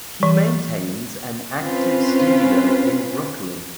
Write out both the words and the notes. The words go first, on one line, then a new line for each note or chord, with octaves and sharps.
He maintains an active studio in Brooklyn.
E3
C4 C#4 F4 B4 C5